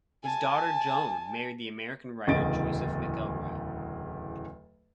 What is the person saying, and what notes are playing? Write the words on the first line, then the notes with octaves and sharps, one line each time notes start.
His daughter Joan married the American writer Joseph McElroy.
G#5 A5
D1 E2 C#3 D#5 A6 D7